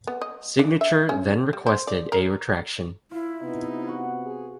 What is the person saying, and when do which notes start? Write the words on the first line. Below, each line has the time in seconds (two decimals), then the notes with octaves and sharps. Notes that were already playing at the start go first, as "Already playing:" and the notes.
Signature then requested a retraction.
0.07 B3
0.21 D#5
0.59 D4
0.81 E5
1.09 C#4
1.53 G3
1.67 C5
1.87 D5
2.12 A#4
3.11 E4 F4
3.41 C3 B3 D#4
3.87 F#4 F#5
4.25 G#4